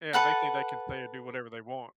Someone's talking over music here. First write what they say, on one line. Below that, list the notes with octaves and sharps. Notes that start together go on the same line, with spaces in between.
Yeah, they think they can say and do whatever they want.
A4 B4 F#5 A5